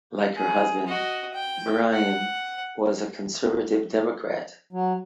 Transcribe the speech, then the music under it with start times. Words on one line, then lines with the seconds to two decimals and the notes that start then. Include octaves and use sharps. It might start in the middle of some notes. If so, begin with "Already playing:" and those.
Like her husband, Byron was a conservative Democrat.
0.35 G#4
0.86 F#4 D#5
1.33 G5
1.93 F#5
4.73 F#3